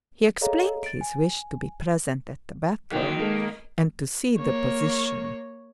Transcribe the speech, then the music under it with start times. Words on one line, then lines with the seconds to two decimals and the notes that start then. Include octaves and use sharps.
He explained his wish to be present at the battle and to see the position.
0.41 G#4 A4 C#5 D#5 F5 A#5
0.84 A6 D7
1.01 G#5
2.92 D#3 F#3 A#3
3.20 G#3 A#3 A4
4.38 A#3 C#5